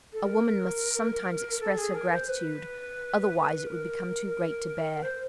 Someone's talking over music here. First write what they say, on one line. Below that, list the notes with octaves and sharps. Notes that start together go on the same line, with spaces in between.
A woman must sometimes express her gratitude; otherwise it becomes too great to bear.
A4
A#4
A4
G#4
A#4
C5
B4
A#4
C5